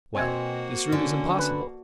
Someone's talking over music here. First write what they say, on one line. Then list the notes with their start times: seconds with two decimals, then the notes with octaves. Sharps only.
"Well, this route is impossible."
0.15 B2 A#3 C4 F#4 G#5
0.92 D3 C#4
1.39 B4